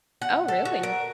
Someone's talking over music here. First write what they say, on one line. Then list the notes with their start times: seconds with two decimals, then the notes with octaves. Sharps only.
Oh, really?
0.22 F#5
0.48 A4
0.65 F#4
0.83 A#4